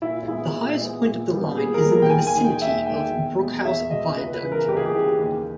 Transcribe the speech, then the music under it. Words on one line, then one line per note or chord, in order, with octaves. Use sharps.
The highest point of the line is in the vicinity of Brookhouse viaduct.
A#2 E4
G#3 B3 E4
A#2
G#3 B3
A#2
G3 B3
A#2 G#4
A#4
G3 B3
A#4
G5
D#2 G#5
G#5
D#3 G#3
G5
D#2 E5
D#3 G#3 G5
E2
B2 G#3
E2 E5
B2 G#3 D#5
C#2 B4
B4
C#3 E3
A#4
C#2 G4
G#4
G4
C#3 E3
D#2